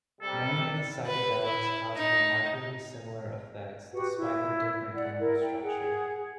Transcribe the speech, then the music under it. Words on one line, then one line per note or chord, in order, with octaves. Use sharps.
Many of these psychedelics cause remarkably similar effects, despite their different chemical structure.
C3 G3 A4
B4
E4
D#4
F#4 G4 B4 F#5
E4
D5 F#5
E4 A#4
G5
G#4 F#5